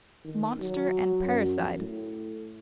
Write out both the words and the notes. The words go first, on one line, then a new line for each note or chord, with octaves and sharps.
Monster and parricide!
D#3
F#3
F#2
A2